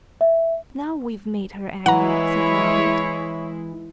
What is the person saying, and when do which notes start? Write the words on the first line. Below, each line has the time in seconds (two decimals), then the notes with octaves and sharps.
"Now we've made her angry," said Robert.
0.21 E5
1.86 E3 G#3 E4 C#5 F#5 A#5